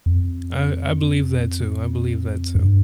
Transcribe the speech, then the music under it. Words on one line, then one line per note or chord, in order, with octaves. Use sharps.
I I believe that too. I believe that too.
F2
G2